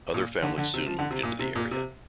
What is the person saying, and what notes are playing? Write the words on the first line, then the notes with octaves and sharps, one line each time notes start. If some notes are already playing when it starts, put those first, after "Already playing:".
Other families soon moved into the area.
A#2
D3
D3
C3
F3
D3
C3
A#2
C3
A#2
C3